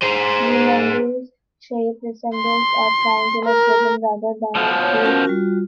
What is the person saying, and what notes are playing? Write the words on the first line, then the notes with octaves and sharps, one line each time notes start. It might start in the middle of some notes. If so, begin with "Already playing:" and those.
The Mendel's shape resembles a triangular prism rather than a cube.
G#4 C5
C6
A#4
B2 F3
C#5
C#4 F#4 A#4
G3 F4 F#4